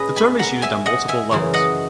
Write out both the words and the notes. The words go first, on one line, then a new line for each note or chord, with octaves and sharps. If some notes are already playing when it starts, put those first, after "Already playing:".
The term is used on multiple levels.
Already playing: A#2 A#3 C#4 G#4 B4 D#5
G#5 B5
F#5 A#5
E5 G#5
D#5 F#5
E5 G#5
F#2 C#3 E3
D#5 F#5